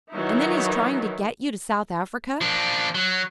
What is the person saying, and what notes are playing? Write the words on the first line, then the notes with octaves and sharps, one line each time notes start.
And then his trying to get you to South Africa.
D#3 E3 F#3 D#4 E4
F3 D4
F#3